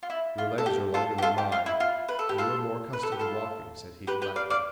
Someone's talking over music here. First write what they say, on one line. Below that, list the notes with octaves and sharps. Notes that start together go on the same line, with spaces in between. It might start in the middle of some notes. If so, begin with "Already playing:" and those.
"Your legs are longer than mine, and you are more accustomed to walking," said he, laughing.
F4
E4
F4
A4
G4
F4 A4
G4
F4 A4
G4
F4
E4
F4
B4
A4
G4
F4 A4
B4
A4
G4
F4 A4
G4 B4
G4 B4
D5 F5
D5 F5